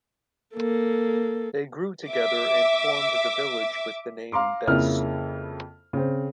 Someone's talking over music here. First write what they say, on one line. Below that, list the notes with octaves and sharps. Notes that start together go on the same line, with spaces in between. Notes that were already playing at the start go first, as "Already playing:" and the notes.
They grew together, and formed the village with the name Best.
A#3 A4
E5 D6
F5 A#5 C6 D6
F2 C#3 A#3 E4 F6
C#3 C4